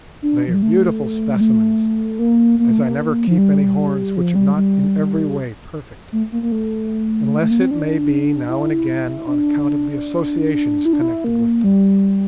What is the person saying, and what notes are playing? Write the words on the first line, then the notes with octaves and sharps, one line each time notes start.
They are beautiful specimens, as I never keep any horns which are not in every way perfect, unless it may be now and again on account of the associations connected with them.
D4
F3
G3
A3
G3
A3
A#3
A#3
A3
A#3
F3
G3
F3
G3
G3
A3
A#3
A#3
A3
A3
A#3
C4
D4
E4
D4
E4
D4
E4
A#3
G3